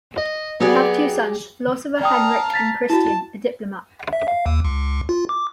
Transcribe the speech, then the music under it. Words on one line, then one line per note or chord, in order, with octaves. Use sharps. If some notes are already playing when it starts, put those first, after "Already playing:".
They have two sons, philosopher Henrik and Christian, a diplomat.
D#5
F#3 B3 G4 G#4 D5
D5 F5 G5 A5 A#5 D#6
A6 B6
E4 F#4 A5
E5
F5
D#2
C#2
F4
D6